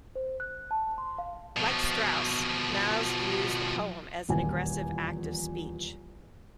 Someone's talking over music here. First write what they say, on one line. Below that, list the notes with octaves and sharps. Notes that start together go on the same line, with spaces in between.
Like Straus, Niles views the poem as an aggressive act of speech.
C5
F#6
A5
C6
F5
B2 F3
D#1 E2 A#2 F4 G#5